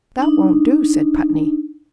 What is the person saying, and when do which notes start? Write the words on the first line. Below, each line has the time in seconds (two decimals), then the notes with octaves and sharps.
"That won't do," said Putney.
0.18 D4 D#4